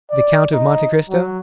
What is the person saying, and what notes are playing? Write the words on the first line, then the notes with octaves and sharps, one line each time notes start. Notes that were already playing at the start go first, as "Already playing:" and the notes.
"The Count of Monte Cristo?"
D5
D#4
F#3